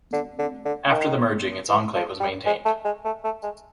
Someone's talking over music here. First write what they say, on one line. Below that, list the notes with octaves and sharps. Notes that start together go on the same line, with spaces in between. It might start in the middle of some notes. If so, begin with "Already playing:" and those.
After the merging its enclave was maintained.
D3
D3
D3
D#3
E3
F3
G3
G#3
A3
G#3
A3
A3
G#3